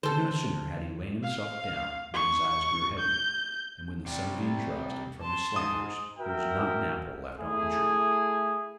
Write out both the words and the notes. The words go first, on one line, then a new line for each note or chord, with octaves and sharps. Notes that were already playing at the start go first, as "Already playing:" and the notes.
But no sooner had he lain himself down than his eyes grew heavy, and when the sunbeams roused him from his slumbers there was not an apple left on the tree.
D3 A4 C5
F5
C#6
G6
C3 G3
A5 C6
G#2 D#6
F#4 A#4 E5 G5
A3 E4 G#4